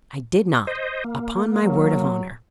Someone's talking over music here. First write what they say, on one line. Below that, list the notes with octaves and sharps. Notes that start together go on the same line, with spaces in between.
"I did not; upon my word of honour."
C5 D#5
A#3
F#3